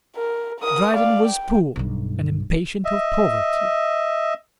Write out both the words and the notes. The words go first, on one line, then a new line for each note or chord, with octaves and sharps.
Dryden was poor and impatient of poverty.
A#4
A#4 D#6
D5 F5
G5
B1 G2
D#5 E5